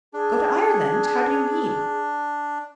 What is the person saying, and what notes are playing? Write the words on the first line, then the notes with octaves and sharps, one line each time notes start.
"Go to Ireland!--How do you mean?"
D4 G#4